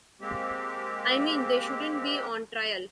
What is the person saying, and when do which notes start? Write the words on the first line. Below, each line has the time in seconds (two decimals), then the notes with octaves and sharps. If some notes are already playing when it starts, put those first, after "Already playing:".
I mean, they shouldn't be on trial.
0.21 G#3 A#3 C4 G4